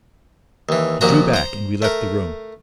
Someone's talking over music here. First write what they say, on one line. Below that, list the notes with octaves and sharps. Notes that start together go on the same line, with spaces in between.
He drew back; and we left the room.
D#2 E3
D#2 A#2 F3 F#4 A#5
C5 A#5
A3 A#4